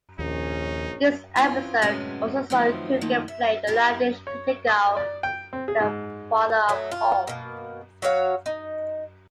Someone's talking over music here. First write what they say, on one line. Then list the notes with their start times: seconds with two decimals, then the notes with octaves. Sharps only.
This episode also saw Coogan play the laddish Peter Calf, the father of Paul.
0.19 A#1 D#2 C#4 D#4
1.36 E3 C4 C#4 F4
1.82 A2 C3 F#3 G#3 B3 C#4
2.50 D#3 F3 F#3 A3 B3 C4
3.01 D#3 F3 A3 A#3
3.28 E5
3.67 E4 G4 A#4
4.27 C#5
4.67 D#6
4.97 D5
5.23 G5
5.53 C4
5.68 G#4
5.80 G#2
6.69 F#3 A3
6.91 F4
7.27 B2 A#3
8.02 F#3 F#4 C#5 F5
8.46 D#4